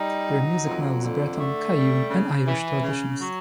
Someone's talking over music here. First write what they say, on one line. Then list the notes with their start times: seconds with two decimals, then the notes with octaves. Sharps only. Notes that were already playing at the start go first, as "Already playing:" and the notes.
Their music melds Breton, Cajun, and Irish traditions.
Already playing: G3 D#4
0.28 F#3
0.66 F2
1.01 D3
1.37 A3
1.74 G3
2.10 C#3
2.47 E3
2.83 C#3
3.20 F#3